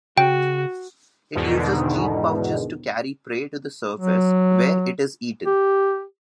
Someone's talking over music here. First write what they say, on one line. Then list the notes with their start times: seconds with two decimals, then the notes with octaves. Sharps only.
It uses cheek-pouches to carry prey to the surface, where it is eaten.
0.18 C#3 F#4 G5
1.35 E2 G#2 B2 D3 D#3
3.99 F#3
5.46 G4